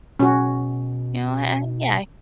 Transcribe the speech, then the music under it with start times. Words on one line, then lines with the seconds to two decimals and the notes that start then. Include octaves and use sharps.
you know, eh, yeah, I
0.20 B2 C#4 F#4